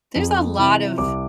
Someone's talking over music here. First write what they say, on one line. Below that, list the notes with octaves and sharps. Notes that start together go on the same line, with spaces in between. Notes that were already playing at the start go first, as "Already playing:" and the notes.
There's a lot of
F2
C3 E3
C2 D6